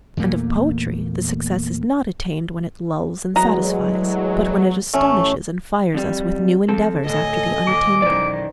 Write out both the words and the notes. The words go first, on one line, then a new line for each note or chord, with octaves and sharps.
And of poetry the success is not attained when it lulls and satisfies, but when it astonishes and fires us with new endeavors after the unattainable.
E2 A#2 A3 A#3
E2 A2 F#3 G#3 F#4 D#5 A#5
A1 A3 C#4
F2 G3
F3 F#3 C4 A4
A2 D3 D#5 G#5
D#2 A#2 D6
B1 F#2 D#3 E3 C5 D5